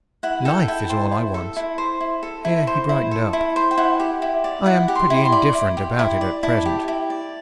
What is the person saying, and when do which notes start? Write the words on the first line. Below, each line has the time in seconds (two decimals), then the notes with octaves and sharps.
Life is all I want." Here he brightened up; "I am pretty indifferent about it at present.
0.23 E4 F#5
0.45 A4 G5
0.68 E4 G5
0.90 C5 A5
1.12 E4
1.34 A4
1.56 E4
1.78 C5
2.01 E4
2.23 A4
2.45 E4
2.67 C5
2.89 E4
3.11 A4
3.33 E4
3.56 C5
3.71 G5
3.77 E4 F#5
4.00 G4
4.22 E4
4.44 D5
4.66 E4 F#5
4.88 G4
4.96 C6
5.10 E4
5.25 C6
5.32 D5
5.55 E4
5.77 G4
5.99 E4
6.21 D5
6.43 E4 A5
6.66 G4
6.88 E4
7.10 D5